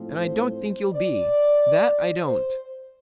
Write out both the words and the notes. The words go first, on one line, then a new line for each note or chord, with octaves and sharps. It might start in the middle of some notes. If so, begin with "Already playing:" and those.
And I don't think you'll be. That I don't.
Already playing: A2 F3 C4
C5
C5
D5
C5